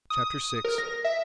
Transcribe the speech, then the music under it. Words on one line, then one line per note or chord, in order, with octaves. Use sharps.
Chapter VI.
D#6
A#4
A#6
E5